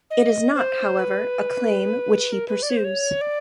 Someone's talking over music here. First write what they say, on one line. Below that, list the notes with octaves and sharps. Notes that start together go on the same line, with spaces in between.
It is not, however, a claim which he pursues.
D#5
C5
B4
A#4
B4
D5
C#5
C5
C#5
D5